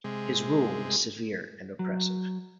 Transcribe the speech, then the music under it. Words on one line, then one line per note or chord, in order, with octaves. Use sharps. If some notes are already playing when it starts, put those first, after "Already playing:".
His rule was severe and oppressive.
C3 G#3
F#3